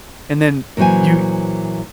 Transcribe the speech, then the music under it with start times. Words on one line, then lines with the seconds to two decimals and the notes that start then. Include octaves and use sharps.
And then you
0.77 A#2 E3 F#3 C5 G#5